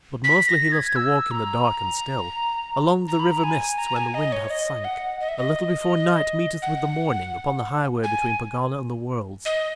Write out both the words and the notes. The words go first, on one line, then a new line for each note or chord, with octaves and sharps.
But mostly he loves to walk in the dark and still, along the river mists when the wind hath sank, a little before night meeteth with the morning upon the highway between Pegana and the Worlds.
B6
A#6
G#6
E6
A#5
A#5
B5
A#5
G#5
A#5
G#5
D#5
C#5
D#5
F#5
D#5
E5
D#5
F#5
G#5
D#5